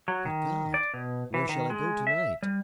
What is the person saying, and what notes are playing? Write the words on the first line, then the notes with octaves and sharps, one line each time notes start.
"Good God! where shall I go to-night?"
F#3
D#3
D5
B2
E3
D#3
G#3
E5
G3